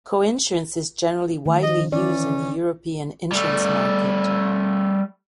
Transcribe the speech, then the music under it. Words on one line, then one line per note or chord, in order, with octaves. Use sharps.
Coinsurance is generally widely used in the European insurance market.
D#3 A3
F3 D#5
E3 C#4 D5
G3 A3